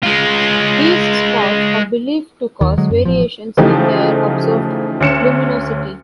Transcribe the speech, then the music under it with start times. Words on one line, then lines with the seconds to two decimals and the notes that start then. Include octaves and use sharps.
These spots are believed to cause variations in their observed luminosity.
0.03 G#3 F4
2.61 D#2 D#3
2.78 D3 F#3 G#3
2.91 F#2
3.05 A1 F3
3.57 C#3 E3 F3 A3 D#4 G4
5.00 D2 C#4 C#7 E7